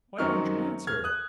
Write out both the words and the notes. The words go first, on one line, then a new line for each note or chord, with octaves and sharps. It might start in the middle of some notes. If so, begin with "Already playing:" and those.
Why don't you answer?
F#2 D#3 F#3 C4 D#4 C#6 F6
F6 G#6
D#6 F#6